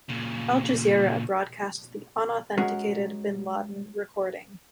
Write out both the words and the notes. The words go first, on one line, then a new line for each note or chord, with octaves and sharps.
Al Jazeera broadcast the unauthenticated bin Laden recording.
A#2 C#3
G#3 C#4 F#4 G#4 A#4